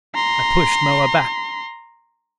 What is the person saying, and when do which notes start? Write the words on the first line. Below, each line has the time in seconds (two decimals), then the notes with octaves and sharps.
I pushed Moa back.
0.15 A#5 C6